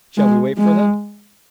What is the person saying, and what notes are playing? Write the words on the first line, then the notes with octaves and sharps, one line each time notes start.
"Shall we wait for them?"
G#3
G#3